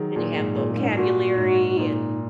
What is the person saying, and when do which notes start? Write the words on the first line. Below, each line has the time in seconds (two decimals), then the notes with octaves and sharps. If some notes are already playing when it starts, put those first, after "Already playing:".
And you have vocabulary and
Already playing: D#3 F#3 G#4
0.16 A#2
0.36 G#2
0.55 A#2
0.72 A#3
0.76 G#2
0.80 C#4
0.88 D#4
0.96 A#2 F#4
1.37 G#2
1.77 A#2 D#4